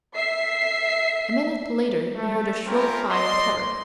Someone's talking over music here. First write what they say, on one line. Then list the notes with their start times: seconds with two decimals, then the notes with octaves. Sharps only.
A minute later he heard a shrill cry of terror.
0.15 E5 C7
2.15 A3
2.66 A3 C4 C#4 F4 A#4
3.11 D5 D#5 C6